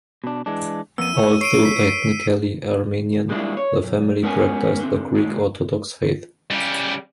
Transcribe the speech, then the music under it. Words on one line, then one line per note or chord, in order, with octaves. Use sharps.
Although ethnically Armenian, the family practised the Greek Orthodox faith.
B2 D4
E3 G#3 D4
F2 A#3 B3 E6 D#7
E4 C#5
C#5 C7 D7 D#7
B6
G3 G#3 A#3 D4 E4 F4
C#5
B1
G#3 B3 C#4 A#4 G5 G#5
D3 C4
D#2 A#2 G#3
C#3 G3